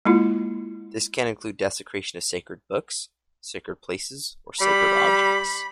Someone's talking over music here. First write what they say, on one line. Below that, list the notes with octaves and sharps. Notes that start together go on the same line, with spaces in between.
This can include desecration of sacred books, sacred places or sacred objects.
G#3 A#3 E4 F4
G3 B5